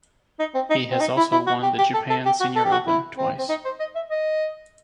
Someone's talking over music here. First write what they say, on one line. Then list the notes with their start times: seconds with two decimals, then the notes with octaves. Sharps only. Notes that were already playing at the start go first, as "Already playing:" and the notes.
He has also won the Japan Senior Open twice.
0.39 D#4
0.54 C4
0.70 D#4
0.91 C4
1.00 D#4
1.17 E4
1.32 E4
1.47 F#4
1.63 G4
1.78 G4
1.94 A4
2.10 A4
2.25 G4
2.40 F#4
2.56 A4
2.65 G4
2.71 F#4
2.87 E4
3.18 C4
3.38 C4
3.49 D#4
3.65 C5
3.80 D#5
3.95 E5
4.10 D#5